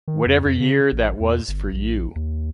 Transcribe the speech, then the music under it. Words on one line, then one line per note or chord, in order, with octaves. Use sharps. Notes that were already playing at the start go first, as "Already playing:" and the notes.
Whatever year that was for you.
D#3
F2
F2
C#3
A1
E2
G1
A#1
D#2